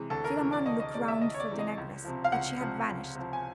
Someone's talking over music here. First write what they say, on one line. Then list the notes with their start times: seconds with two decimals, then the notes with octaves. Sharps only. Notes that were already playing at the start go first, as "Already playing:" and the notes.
Philammon looked round for the negress, but she had vanished.
Already playing: C3 E3 G#3
0.10 D2 A4
0.24 A#4
0.39 C3 E3 G#3
0.52 D5
0.66 D2 D#5
0.80 D#5
0.94 C3 E3 G#3 D5
1.08 E5
1.21 D2 D#5
1.34 C#5
1.40 D5
1.49 C3 E3 G#3
1.59 D#5
1.77 C#2
2.04 C3 F3
2.24 F5
2.32 C#2 F#5
2.61 C3 F3
2.88 C#2
3.15 C3 F3
3.33 G#5